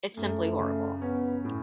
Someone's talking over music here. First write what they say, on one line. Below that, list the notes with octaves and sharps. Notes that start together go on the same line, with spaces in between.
It’s simply horrible.
F#2 A3
C#3
B3 C#4
A2